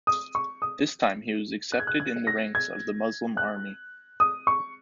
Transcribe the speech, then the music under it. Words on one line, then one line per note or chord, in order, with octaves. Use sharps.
This time he was accepted in the ranks of the Muslim army.
D#6
C#6
D#6
F#6
G#6
F#6
G#6
A#6
G#6
F#6
D#6
C#6